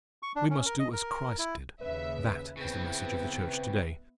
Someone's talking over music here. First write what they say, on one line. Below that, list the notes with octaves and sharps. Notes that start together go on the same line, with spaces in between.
We must do as Christ did; that is the message of the Church today.
C#6
D4
C#4
A#4
D#5
A#4
E4
D#2 C#3 B4 E5
C#3 B3 C4 E4